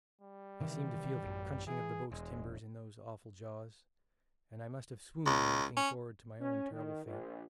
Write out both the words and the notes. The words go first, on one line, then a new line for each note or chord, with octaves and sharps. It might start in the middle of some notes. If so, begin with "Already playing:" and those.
I seemed to feel the crunching of the boat's timbers in those awful jaws, and I must have swooned in looking forward to my own terrible fate.
G3
C3 D#3 E3
A1 F#2
E3 G#4
E1 G#3
C#2
C#4
C#4
D#3
A#1